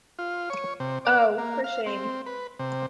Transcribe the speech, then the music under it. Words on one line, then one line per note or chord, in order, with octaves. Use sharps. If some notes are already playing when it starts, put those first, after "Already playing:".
Oh, for shame!
F4
C#5
C3
D5
A#3
F5
C4
B4
C3